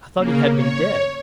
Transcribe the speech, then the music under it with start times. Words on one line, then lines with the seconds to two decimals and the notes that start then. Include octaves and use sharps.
I thought he had been dead!'
0.16 C#3 A#3
0.53 C#5